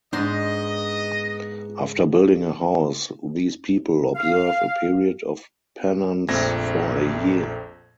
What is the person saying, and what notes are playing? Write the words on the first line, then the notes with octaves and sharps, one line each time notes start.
After building a house, these people observe a period of penance for a year.
G#2 B3 D4 D#4 C5 D#5 C6
F5
A#1 F2 A3 C4 G#6 A#6